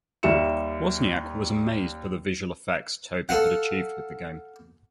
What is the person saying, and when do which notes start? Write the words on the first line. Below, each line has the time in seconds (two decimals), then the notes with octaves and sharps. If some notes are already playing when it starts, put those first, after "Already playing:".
Wozniak was amazed by the visual effects Tobey had achieved with the game.
0.23 D#2 G3 E5 C#7 E7
3.29 A4 F5 F#5